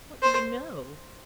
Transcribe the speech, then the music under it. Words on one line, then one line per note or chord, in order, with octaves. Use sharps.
What do you know?'
C5